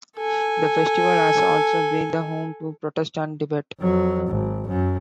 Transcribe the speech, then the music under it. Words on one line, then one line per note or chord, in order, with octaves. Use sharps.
The Festival has also been the home to protest and debate.
A4 G#5
F2 F#3
G#1
F#2